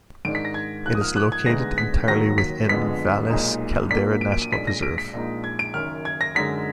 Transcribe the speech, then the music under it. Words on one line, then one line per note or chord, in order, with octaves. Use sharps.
It is located entirely within the Valles Caldera National Preserve.
G#2 D#3 G#3 D4 D7
B6
A#6
G#6
G#2 F3 A#3 F#6
D#6
F6
F#6
G#6
D2 D3 G#3 B3 D#4 A#6
B6
D#2 D#3 F#3 A#6
B6
F2 D3 G#3 B3 B6
B1 A#2 G#3 D#4
A#1 A#2 F#3 A#3 D4 B6
D7
D7
D#7
B1 A#2 G#3 D4 B6
A#6
D7
B6
A#1 A#2 G#3 D#4
G#6
D7
F#1 F#2 D#3 F6
G#6
A#6
F#2 D3 G#3 D#4 B6